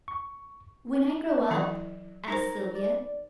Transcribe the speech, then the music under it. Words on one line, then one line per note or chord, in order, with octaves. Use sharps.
"When I grow up?" asked Sylvia.
C#6
E3 F#3 A4 D5
D#4 A#4 C5 A#5
D5